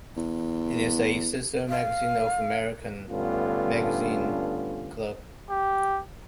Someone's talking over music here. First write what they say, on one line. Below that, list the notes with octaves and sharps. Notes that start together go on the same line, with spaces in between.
It is a sister magazine of American magazine "Club".
E2
F5
G2 D3 A3 B3 C#4 F4
G4